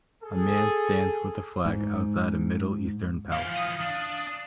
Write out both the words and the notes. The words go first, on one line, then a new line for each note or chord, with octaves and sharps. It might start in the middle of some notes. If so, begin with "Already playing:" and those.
A man stands with a flag outside a middle eastern palace.
G#4 A4
G#2
E3 F3 F5
D#6
D4